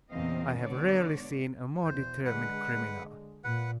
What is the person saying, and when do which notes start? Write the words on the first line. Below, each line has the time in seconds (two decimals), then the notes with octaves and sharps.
I have rarely seen a more determined criminal.
0.11 E2 A#2 C#3 C4 D#5 F5
0.59 G#2 B2 D3 B3 C#5 D5
1.85 E2 B2 C5
2.25 D3 G#3 B4 F#5
3.44 A#2 B4 F#5